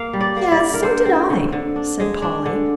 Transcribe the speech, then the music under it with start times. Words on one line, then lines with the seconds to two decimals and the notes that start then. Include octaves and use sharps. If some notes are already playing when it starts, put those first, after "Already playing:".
"Yes, so did I," said Polly.
Already playing: A#3 F5
0.13 G3
0.21 D5
0.37 A#3
0.52 D5
0.59 D3
0.74 A#4
0.82 D3 C5
1.06 C4
1.30 D3
1.52 D3
1.76 D4
2.00 G#3
2.22 D4
2.46 D3